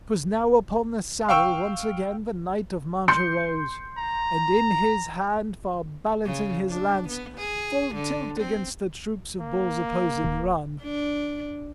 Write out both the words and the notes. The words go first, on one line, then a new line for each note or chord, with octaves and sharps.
'Twas now upon the saddle once again the knight of Mancha rose, and in his hand far balancing his lance, full tilt against the troops of bulls opposing run.
F5 G5 C#6 E6
C6 G6 C#7
A#5
C#3
D4
B3
G#4
D3
C4
A#3
D1
D4